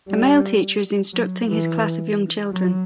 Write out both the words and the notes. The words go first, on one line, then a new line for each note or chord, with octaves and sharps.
A male teacher is instructing his class of young children.
G3
F#3
E3
F#3